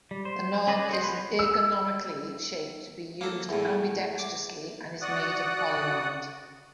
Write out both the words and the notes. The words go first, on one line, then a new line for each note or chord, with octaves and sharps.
The knob is ergonomically shaped to be used ambidextrously and is made of polyamide.
G3
C5
C#4 G#4 B4 D5 D#5
F#4 C5
F3 B3 C#4 B4
E6
A#3 A4
E2 A2
D6
F#4 D5 F#5 D#6 F#6